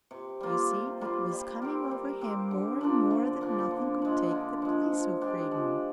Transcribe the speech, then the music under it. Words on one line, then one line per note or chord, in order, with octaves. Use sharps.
You see, it was coming over him more and more that nothing could take the place of freedom.
C3
G3 A#3 F4
C3
G3 A#3 F4
G3
C4 G4 A#4
G3
C4 G4 A#4
D3
F3 A#3 D4
D3
F3 A#3 D4
D3
F3 G#3
D3
F3 G#3
F3
G#3 D4 G4
F3